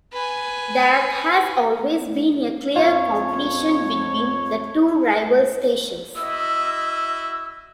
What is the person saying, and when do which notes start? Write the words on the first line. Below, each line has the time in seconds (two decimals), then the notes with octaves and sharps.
There has always been a clear competition between the two rival stations.
0.13 B4 G#5
2.76 F2 F4 C#5
6.16 E4 F#4 D#5 E6